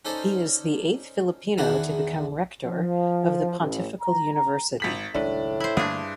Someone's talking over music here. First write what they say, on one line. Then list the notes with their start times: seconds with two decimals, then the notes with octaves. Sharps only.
He is the eighth Filipino to become rector of the pontifical university.
0.05 C#4 D#4 A4 C5 D5
1.58 E2 D#3 E3 D4 G#4 F#5
2.66 F3
3.59 A1
4.01 A#5
4.80 G#1 B6 F#7
5.15 F#1 C#2 A2 D#3 D4
5.60 E4 C5
5.77 G2 D3 A3 A#3 D4 G#4